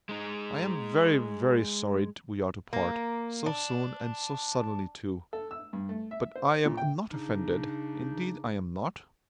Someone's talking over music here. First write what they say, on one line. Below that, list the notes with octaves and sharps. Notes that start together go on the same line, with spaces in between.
I am very, very sorry we are to part--so soon, and so suddenly too; but I am not offended, indeed I am not.
G#3 D#4
A#3
D4
A4
E6
G2
A3
E5
C5
A#2
G5
C#3 D4 D#4